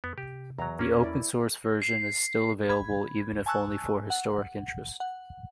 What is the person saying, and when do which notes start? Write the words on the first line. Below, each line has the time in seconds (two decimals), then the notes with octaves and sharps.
The Open Source version is still available, even if only for historic interest.
0.04 F2 B3
0.18 C3 G4
0.59 E2 F#3 A#5
0.79 E2 A#3 C#4
1.03 E4 D5
1.82 C7
2.69 B5 G#6
3.46 G#5 A5 C#6 E6 F#6
4.10 F#5
5.00 F#5